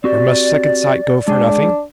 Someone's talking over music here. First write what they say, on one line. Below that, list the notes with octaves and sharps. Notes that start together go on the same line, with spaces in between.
Or must second-sight go for nothing?'
C4 F#4 G4 D5
G#3 D4 G#4 G5